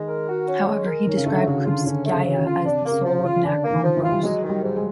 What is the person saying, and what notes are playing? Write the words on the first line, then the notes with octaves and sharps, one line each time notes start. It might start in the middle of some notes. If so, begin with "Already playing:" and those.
However he described Krupskaya as the "soul of Narkompros".
Already playing: D#3 G#3
A#4
F#4
C#4
G#3
A#4
D#3 C#4
C#3
D3 A3
C#3 F#3
D3 F4
D3 C#4
A3
C#3
F#3
C#3
F4
C3 D4
A#3
C#3
F3
C#3
F4
D3 D4
A#3
D#3
F3
E3
F4
G3
F#3 G#3
D#3
G3
G#2
G#3